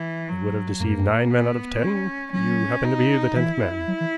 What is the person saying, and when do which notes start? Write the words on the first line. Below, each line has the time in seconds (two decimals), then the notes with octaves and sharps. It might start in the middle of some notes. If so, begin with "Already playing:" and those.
They would have deceived nine men out of ten--you happen to be the tenth man.
Already playing: E3
0.29 F#3
0.80 F#2 A#3
1.31 B3
1.82 C#4
2.33 F#3 C#4
2.85 D#4
3.36 E3 E4
3.88 F#3
4.00 E3